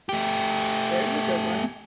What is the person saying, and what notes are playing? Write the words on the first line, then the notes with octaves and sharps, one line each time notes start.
There's a good one.
A3 G4